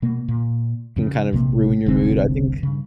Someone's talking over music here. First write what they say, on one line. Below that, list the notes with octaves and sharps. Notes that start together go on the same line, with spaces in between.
can kind of ruin your mood, I think
B2 A#3
A#2
F2 C#3
A#1 C3 A#3
F1 C2 D3 C4
G2 C#3